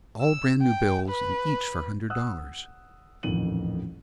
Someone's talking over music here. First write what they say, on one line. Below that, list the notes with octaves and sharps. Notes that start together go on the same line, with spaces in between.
"All brand new bills and each for a hundred dollars."
E6
G5
B4
F#5 D#6 E6 F#6
D#1 A1 F2 D#3 D#7 F#7